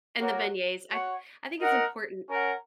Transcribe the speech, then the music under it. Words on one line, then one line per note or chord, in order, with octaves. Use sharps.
And the beignets. I I think it's important
A#3 F#4 A#4 C#5
F#4 C#5 F#5
D#4 A#4 F#5
C#4 A#4 F#5